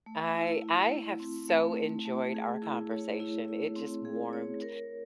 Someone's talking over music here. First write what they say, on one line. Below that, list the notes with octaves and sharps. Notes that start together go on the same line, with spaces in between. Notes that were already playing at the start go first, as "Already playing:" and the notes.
I I have so enjoyed our conversation. It just warmed
A3
E4
E4
E4
C4
A3
A3
A3
G#4
E4
C#5
E4
E4
C4
G#4
C#5
A#4